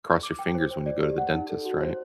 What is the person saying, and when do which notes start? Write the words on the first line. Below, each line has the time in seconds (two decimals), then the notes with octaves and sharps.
cross your fingers when you go to the dentist, right?
0.23 D6
0.39 G5
0.55 C5
0.71 C5
0.86 D5
1.02 G4
1.18 F#5
1.34 D#4
1.50 A4
1.65 F#4
1.81 C5